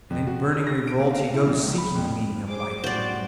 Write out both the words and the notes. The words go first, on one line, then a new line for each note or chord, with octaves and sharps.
And in burning revolt he goes seeking the meaning of life.
F2
F#4
C#3
A#6
D7
A#3
F5
E4
A#1
C#2
B5
F2
G#4 C5 D6
F#2 A2 G3 F#4 C5 D5